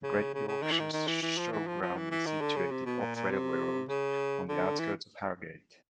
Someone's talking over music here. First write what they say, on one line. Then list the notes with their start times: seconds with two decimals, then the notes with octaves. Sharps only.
The Great Yorkshire Showground is situated off Railway Road, on the outskirts of Harrogate.
0.03 C#3
0.34 C#3
0.48 C#3
0.62 D#3
0.71 E3
0.79 D#3
0.93 D#3
1.07 E3
1.22 E3
1.38 F3
1.52 E3
1.67 F3
1.82 F3
1.97 E3
2.11 E3
2.26 D#3
2.41 D3
2.56 C#3
2.71 C3
2.85 B2
3.00 A#2
3.15 A#2
3.30 C3
3.89 C#3
4.49 D3
4.78 E3